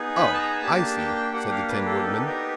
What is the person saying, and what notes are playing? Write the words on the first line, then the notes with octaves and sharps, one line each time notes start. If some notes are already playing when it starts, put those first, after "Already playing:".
"Oh, I see," said the Tin Woodman.
Already playing: B3 D#4 G#4
B5
A5
A#5
A#3 D4 G4 A5
G5
A#3 D4 G4 F#5
F5
B4
A4
B3 D#4 G4 A4
A#4